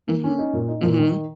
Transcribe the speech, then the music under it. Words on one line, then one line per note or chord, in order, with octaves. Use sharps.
Mhm. Mhm.
A#3
C#4
D#4
A#2
D#4
A#2
D#3